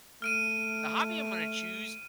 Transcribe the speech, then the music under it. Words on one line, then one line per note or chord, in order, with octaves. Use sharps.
the hobby I'm gonna choose
A3 F6 D7 D#7